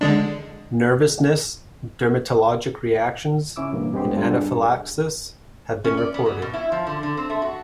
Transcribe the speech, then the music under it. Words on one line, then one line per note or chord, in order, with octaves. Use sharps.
Nervousness, dermatologic reactions, and anaphylaxis have been reported.
D3 G#3 D4
C#3 C#4 E4 D6 E6
G2 B2 E3 A#3
G2 G#3 B3 C4 G4 C6
G2 F4 A4
G3 D4 G#4 A4
C#4
D5
B3
F#3
B2
E4
F3
D3
D3
C4
A3
F#4